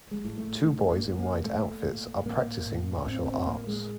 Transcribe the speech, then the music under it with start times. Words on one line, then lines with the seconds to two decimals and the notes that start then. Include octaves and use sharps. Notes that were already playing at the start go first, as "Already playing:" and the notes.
Two boys in white outfits are practicing martial arts.
0.11 G#3
0.24 A2
0.38 A3
0.64 A#2 A3
0.91 A#3
1.05 A#2
1.19 A#3
1.45 A#2 A3
1.85 A#2
2.25 A2 A#3
2.66 A2
3.06 A2 C4
3.27 C4
3.46 A2 A#3
3.67 G#3